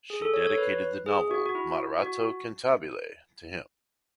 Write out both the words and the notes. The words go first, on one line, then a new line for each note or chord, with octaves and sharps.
She dedicated the novel "Moderato cantabile" to him.
G#4
A4
C#5
C#5
B4
G#4
F#4
F#4
E4
F#4